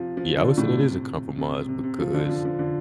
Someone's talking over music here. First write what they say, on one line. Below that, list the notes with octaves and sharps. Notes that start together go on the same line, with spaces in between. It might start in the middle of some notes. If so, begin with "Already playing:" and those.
Yeah, I would say it is a compromise because,
Already playing: C3 F3
F3
D3
A2
C3
C3
C3
C3
F3
D3
F3
F3
D3